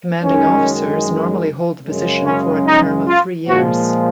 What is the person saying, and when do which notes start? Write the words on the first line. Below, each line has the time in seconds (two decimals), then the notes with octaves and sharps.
Commanding Officers normally hold the position for a term of three years.
0.23 F#2 D#3 G#3 C#4
1.86 F#2 C#3 G#3
2.25 C#4
2.66 D#4
3.06 F4
3.47 A#2 F3 G#3 F#4